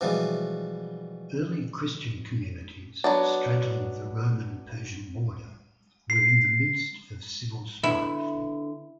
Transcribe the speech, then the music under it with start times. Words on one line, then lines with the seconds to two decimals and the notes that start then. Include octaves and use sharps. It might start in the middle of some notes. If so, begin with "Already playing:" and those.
Early Christian communities straddling the Roman-Persian border were in the midst of civil strife.
0.01 B2 E3 F3 G3 G#3
3.04 F#3 B3 D4
6.10 C7
7.83 D3 B3 E4 G#4